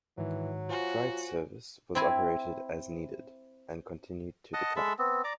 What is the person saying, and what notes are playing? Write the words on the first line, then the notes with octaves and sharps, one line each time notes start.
Freight service was operated as-needed, and continued to decline.
G#2 D#3 E3 F#3
F4 F#4 C5 G#5
C4 E4 G#5
D#5 F#5 A5 D#6
G#3 A4 E5 B5
B3 C4
D5 A#5 D6